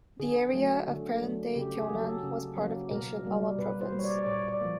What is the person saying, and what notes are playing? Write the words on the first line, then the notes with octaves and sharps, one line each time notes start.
The area of present-day Kyonan was part of ancient Awa Province.
D3 G#4
F#3 A3
D3
F#3 A3
C#3 G4
G#4
F#3 A#3
A4
C#3
F#3
A#3
B2 A#4
G3 A#3
B2 B4
C5
G3 A#3
C#5
D5
D5
A#2 C#5
D5
F3 A#3